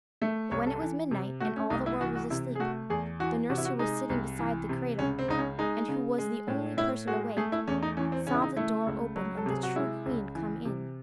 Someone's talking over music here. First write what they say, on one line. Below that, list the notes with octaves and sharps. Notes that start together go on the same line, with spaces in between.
But when it was midnight, and all the world was asleep, the nurse who was sitting beside the cradle, and who was the only person awake, saw the door open and the true queen come in.
A3 E5
C2 C#5
A4
E3
C3
A3 F#4
C#4
C2 D#4
E4
E3 F#4
F#4
C3 E4
G#4
A3 F#4
E2 G#4
E3 F#4
C3 F#4
E4
F#4
G#3 D#4
C2
E3
C3
C#2 C#4
C4
C#2 D#4
C#4
G#3 D#4
C#3
G#3
A2
A2 E4
G#3 F#4
A3 G#4
E4
E2 C#4
D#4
E3 C#4
C4
C#3 C#4
E4
D#4
A3 E4
C#2
F#3
A4
C3 G#4
F#4
G#3 E4
C#2
E3
C3